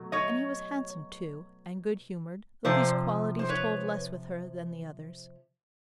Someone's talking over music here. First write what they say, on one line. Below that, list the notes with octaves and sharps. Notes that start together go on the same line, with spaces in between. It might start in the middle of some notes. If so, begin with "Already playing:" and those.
And he was handsome too, and good-humoured, though these qualities told less with her than the others.
Already playing: B2 F#3 A3
C#5 D#5
C3 F3 C5 D5
C5
B4 C#5